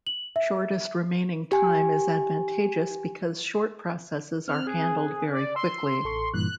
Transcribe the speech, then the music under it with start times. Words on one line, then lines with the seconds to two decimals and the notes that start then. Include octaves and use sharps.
Shortest remaining time is advantageous because short processes are handled very quickly.
0.07 F#7
0.36 E5
1.52 G4 G#5
4.48 C4 F6 F#6
4.67 G#4
5.33 D5
5.56 C6 E6
6.04 A1 A4 C#6
6.34 G2 A#2 E3 F#6